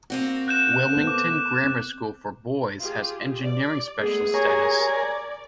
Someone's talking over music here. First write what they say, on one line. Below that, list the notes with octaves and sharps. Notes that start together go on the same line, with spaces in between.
Wilmington Grammar School for Boys has engineering specialist status.
A#3 C4 F#4
F#6 G6 E7
B3 A4
D6
C4
F4 G4 G#4
D5
G#3 A3 B3 G#4
G4 A#4 C#5 G#5
D5